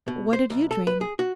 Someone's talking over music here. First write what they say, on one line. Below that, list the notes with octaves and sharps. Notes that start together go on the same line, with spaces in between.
'What did you dream?'
B2
C5
B1
A4
B4
G#4
F#4